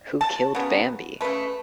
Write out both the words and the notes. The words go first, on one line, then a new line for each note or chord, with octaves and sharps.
Who killed Bambi?
A5
C#3 F#3 B3
C#3 A3 B4